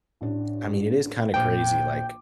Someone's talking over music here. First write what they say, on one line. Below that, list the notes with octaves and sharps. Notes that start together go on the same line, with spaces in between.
I mean, it is kinda crazy, like,
A1 D4
A#1 G5 D6